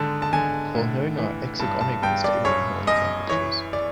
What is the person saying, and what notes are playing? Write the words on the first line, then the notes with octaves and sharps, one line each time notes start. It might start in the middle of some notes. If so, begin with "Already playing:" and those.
All known are exergonic and stable at normal temperatures.
Already playing: G#2 D3 A5
A5
D3 G#5
A2
E3
G2 A5
A5
G2 G5
D5
F#2 C#5
F#2 D#5
E3 C#5
D5